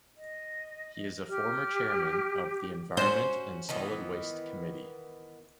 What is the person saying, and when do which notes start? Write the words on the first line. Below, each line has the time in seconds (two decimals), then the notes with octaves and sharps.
He is a former Chairman of the Environment and Solid Waste Committee.
0.17 D#5
1.29 G4 F6
2.97 C#4 E4 F#4 C5
3.69 D#3 E3 B3